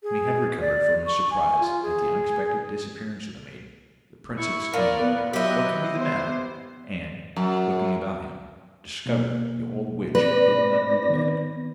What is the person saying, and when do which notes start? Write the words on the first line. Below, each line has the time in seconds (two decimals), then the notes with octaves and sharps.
When he had recovered from his surprise at the unexpected disappearance of the maiden, the prince exclaimed, 'What can be the matter?' and, looking about him, discovered the old witch hidden under the bed.
0.03 G#4
0.60 D5
1.06 C#6
1.31 G#5
1.60 F4
1.83 G#4
4.38 E4 C#6
4.73 A#2 A#4 D5
5.02 B3
5.33 F#3 E4 G4 D#5
5.95 B3 C5
7.36 F#2
9.06 B2 A#3
10.15 C4 B4 D5 A#6
11.10 D#3 B3